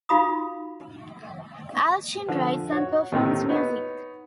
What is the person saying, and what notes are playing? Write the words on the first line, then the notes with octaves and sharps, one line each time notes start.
Allchin writes and performs music.
D#4 F4 F#4 F5 B5 D#6
D3 F3
F#4 C#5
D#2 A2 C3 D#3
B3 D#4 C#5